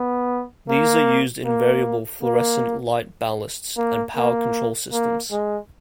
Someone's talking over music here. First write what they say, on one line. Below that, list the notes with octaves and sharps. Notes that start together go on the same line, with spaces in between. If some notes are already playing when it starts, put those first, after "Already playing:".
These are used in variable fluorescent light ballasts, and power control systems.
Already playing: B3
A#3
A#3
A#3
A#3
A#3
A#3
G#3